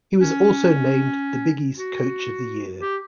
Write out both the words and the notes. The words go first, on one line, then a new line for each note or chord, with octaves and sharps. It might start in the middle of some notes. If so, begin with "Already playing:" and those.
He was also named the Big East Coach of the Year.
C#4
F#4
G4